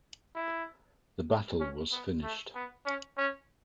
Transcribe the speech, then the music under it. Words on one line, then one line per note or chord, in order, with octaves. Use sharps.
The battle was finished.
E4
C#4
B3
A3
B3
C#4
C#4